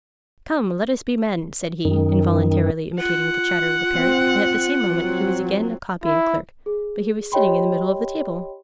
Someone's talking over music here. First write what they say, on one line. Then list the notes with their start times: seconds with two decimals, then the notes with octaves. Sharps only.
"Come, let us be men!" said he, involuntarily imitating the chatter of the Parrot, and at the same moment he was again a copying-clerk; but he was sitting in the middle of the table.
1.85 F#2 D#3
3.00 F4 F#5
3.95 C4
4.86 F#3 C4
6.04 E4
6.66 G#4
7.32 G4 C#5 D#5 G5 B5 C6